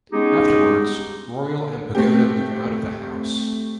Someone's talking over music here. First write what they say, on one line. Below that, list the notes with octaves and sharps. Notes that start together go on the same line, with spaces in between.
Afterwards, Royal and Pagoda move out of the house.
G#3 B3 C#4 D#4 G4 G#4
A3 C4 G4